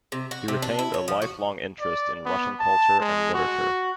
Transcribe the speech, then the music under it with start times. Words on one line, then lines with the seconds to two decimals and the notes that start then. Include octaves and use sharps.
He retained a lifelong interest in Russian culture and literature.
0.12 C3
0.31 F#4
0.48 C3
0.62 D4
0.79 E4
0.94 C#5
1.08 F3
1.22 F#4
1.80 D5
2.25 B3
2.60 A5
3.00 G#3
3.34 F#4